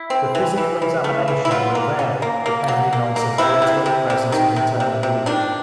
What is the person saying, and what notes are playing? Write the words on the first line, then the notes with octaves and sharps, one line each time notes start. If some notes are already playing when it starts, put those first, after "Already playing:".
The physical examination will vary depending on severity and presence of internal bleeding.
Already playing: E4
C4
E3
E3
E3
A3
E3
E4
F#3 F4
A#3
C#4
A#3
A#3
F#3
A#3
A#3
C3 E4
C3
C3
C3
D#3
C3
C3
C3
D#3 D4